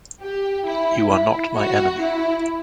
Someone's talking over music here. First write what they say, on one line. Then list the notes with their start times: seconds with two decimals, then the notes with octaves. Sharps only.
You are not my enemy.
0.21 G4
0.66 E4
1.10 E4
1.55 F#4
2.00 E4